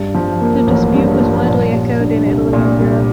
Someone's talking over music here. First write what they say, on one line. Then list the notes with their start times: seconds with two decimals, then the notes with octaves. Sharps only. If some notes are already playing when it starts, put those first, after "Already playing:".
The dispute was widely echoed in Italy and Europe.
Already playing: G2
0.15 F3
0.41 A#3
0.67 A1
0.94 G2
1.20 F3
1.47 A#2
1.73 G3
2.00 D4
2.26 C2
2.53 A#2
2.80 G3